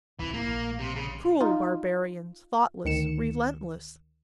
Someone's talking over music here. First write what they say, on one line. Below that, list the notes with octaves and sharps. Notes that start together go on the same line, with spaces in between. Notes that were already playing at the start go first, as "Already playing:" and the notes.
Cruel barbarians, thoughtless, relentless!
D1 C2 C3 E3
A#3
A#1
C3
C#3
D#4 F4
D2 D#3 C#7 E7